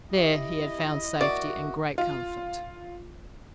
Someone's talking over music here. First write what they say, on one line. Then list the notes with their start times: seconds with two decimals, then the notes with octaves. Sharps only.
There he had found safety and great comfort.
0.13 E4 G4 D#5 E5
1.21 F#4 A#4 D5 E5
1.98 F4